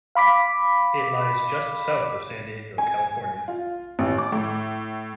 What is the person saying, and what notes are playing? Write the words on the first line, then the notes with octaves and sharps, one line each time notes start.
It lies just south of San Diego, California.
F5 B5 D6 B6
G#5
F4
A1
D6
A2